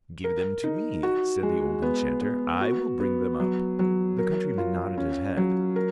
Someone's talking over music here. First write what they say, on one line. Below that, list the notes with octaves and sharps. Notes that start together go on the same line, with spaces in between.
"Give them to me," said the old enchanter, "I will bring them up." The countryman nodded his head.
A#4
D#4
F#4
G#3
B3
B3
F#4
B3
F#3
F#3
A#4
F4
C#4
F#3
A#4